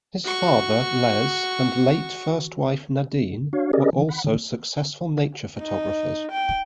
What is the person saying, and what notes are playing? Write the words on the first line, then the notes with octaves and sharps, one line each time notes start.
His father, Les, and late first wife, Nadine, were also successful nature photographers.
F#4 C#6
D4 F#4 C#5 F5
C#4 G4 G#4 A#4 D5 D#5
D#3 E3
F#5 B5
D3 D#3
D#4
G5